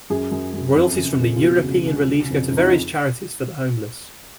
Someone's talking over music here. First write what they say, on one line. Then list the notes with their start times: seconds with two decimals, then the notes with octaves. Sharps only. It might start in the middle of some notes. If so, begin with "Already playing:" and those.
Royalties from the European release go to various charities for the homeless.
0.10 F#2 G#4
0.31 F#2
0.53 F#2
0.76 F2
0.98 C#3
1.19 F2
1.36 F4
1.41 B2 F#4
1.64 C#2
1.86 C#2
2.07 C#3
2.30 F2
2.52 F2
2.57 D#4
2.65 F4